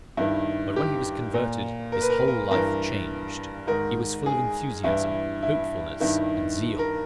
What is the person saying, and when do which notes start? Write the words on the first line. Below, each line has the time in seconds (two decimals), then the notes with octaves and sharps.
But when he was converted his whole life changed: he was full of enthusiasm, hopefulness and zeal.
0.17 G2 D#3 E4
0.76 G4
1.34 A#2
1.92 A#4
2.02 B4
2.10 A#4
2.18 B4
2.28 A#4
2.51 G2 E3 A#4
3.67 G#2 D#3 A#4
4.26 G#4
4.84 G2 E3 E4
5.43 E4
6.00 G2 D#3 E4
6.79 A#4